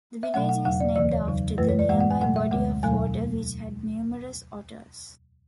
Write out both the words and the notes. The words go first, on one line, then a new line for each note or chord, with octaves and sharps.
The village is named after the nearby body of water which had numerous otters.
E5
B2 F#3 A3 F#5
F#5
E2 C#3 F#3 F#5
D5
D2 C#3 E3 D5
C#5
E2 C#3 F#3
F#2 E3 A3 B4
C#5
D5
A2 E3 G#3 F#5
F#5
G#5
B2 F#3 A3 F#5
E5
D2 D3 G#3 F#5
E2 B2 F#3 A3 G#5